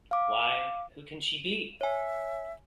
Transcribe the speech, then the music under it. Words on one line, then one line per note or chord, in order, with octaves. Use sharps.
Why, who can she be?
F5 D6
C#5 E5 G#5